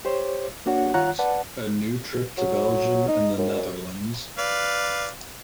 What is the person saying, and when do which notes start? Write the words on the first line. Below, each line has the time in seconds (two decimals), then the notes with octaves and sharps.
Afterwards, a new trip to Belgium and the Netherlands.
0.05 G4 C5 C#5
0.66 A#3 D4 F#4 C#5 F#5
0.94 D#3 F4 C#5 F#5 A#5 F#6
1.19 B4 D5 F#5 A5
2.38 F#3
3.08 D#4
3.38 F#2
4.38 B4 D5 F5